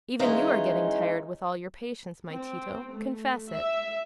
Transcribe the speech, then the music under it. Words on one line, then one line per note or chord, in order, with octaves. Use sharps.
Even you are getting tired, with all your patience, my Tito; confess it.
E3 G#3 C#4 D#4 F4
C4
A3
E5